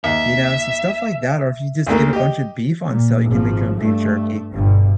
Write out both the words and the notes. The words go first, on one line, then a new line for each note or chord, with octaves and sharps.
You know? So stuff like that, or if you just get a bunch of beef on sale, you can make your own beef jerky
D#2 E5
D2 A3 A#3
G4 D#5
A#2
G#1 F3
G2 A3
G1 G2 B2